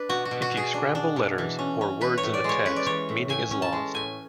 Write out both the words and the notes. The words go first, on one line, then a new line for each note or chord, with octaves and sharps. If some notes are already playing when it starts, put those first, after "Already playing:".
If you scramble letters or words in a text, meaning is lost.
Already playing: D4 B4
B2 F#4
F#4
B2
F#4
B2
G#4
D4
D4
B2
E3
C#4
C#4
E3 B4
C#5
A2
D5
G#3 C#5
C#4 B4
D5
E3 C#5
A2
A2 G#5
C#4
A5
G#3
A2 G#5